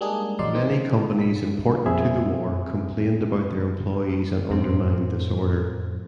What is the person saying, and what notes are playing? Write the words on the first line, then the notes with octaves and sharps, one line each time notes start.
Many companies important to the war complained about their employees and undermined this order.
G3 G#3 A#3 D4 D#4 G#4
A#1 E2 F#3 D#4 D5 C6
D#3 C4 D#4
B6
F2 G3 C4 G#4 E5
F2 A2 C4